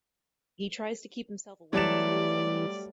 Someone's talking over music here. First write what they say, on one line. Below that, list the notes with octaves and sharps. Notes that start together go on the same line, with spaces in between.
He tries to keep himself awake to avoid these.
E3 F#3 G3 A3 D5 E7